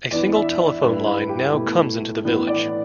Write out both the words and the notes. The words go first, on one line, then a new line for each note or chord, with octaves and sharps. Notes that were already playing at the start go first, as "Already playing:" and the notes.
A single telephone line now comes into the village.
E2 E3 B3 D4 D5
E5
E5
G2 G3 E4 B4
B4
G4
B2 A3 E4
A2 E3 B3 D4
D5